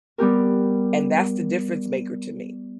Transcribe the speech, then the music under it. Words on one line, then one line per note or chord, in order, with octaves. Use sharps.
And that's the difference maker to me.
G3 B3 G4 A#4